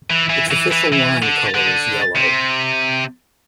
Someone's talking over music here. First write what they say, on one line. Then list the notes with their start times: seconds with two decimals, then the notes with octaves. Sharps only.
Its official line color is yellow.
0.10 E3
0.30 E3
0.51 E3
0.72 E3
0.93 E3
1.23 D3
1.54 D3
2.16 C3